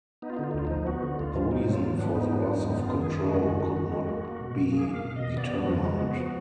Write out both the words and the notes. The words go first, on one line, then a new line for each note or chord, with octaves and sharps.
The reason for the loss of control could not be determined.
B3 D#4
F4
D3 D#4
F4
D#4
D2 F4
F3 D#4
B3 F#4
D3
D2 F4
F3
G#2 D#4
F#3
F4
G#2
D4
B3
G#2 D#4
F#3 D4
G#2
B3 D#4
F#2 F4
D#3 G#4
F#2
F#4
G#3
F#2 F#4
D#3
F#2
G#3
A#3
A#3
B2
B2
A#3 G#4
A#3 F5
B2
B2 D#5
B3 D5
F3
F#4
F2 F4
F#4
G#3
B3
F3